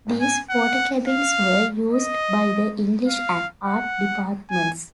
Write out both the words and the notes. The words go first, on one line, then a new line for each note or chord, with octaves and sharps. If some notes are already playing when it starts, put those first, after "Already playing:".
These Portakabins were used by the English and Art Departments.
G#5
F#5
F5
D#5
F5
F#5
G#5